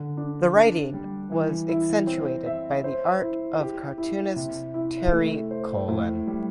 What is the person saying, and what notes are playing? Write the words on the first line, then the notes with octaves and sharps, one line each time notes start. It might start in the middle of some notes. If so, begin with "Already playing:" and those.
The writing was accentuated by the art of cartoonist Terry Colon.
Already playing: D3
D4
D4
G3
E3
E4
C4
E5
C5
E4
G4
E4
C3
E4
A3
C5
A2
G3